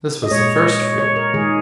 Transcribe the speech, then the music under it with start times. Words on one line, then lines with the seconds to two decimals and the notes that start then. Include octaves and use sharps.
This was the first fruit.
0.23 D#5
0.31 A#2 G#3 C#5
0.56 D#5
0.82 C#5
0.99 C#5
1.16 A#4
1.34 D#3 G#3 G#4